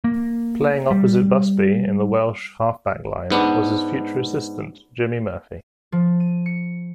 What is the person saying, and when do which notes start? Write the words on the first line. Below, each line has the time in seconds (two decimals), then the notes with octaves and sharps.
Playing opposite Busby in the Welsh half-back line was his future assistant Jimmy Murphy.
0.04 A#3
0.91 G3
3.30 G#2 B3 D4
5.92 F3
6.20 D#7
6.46 C#7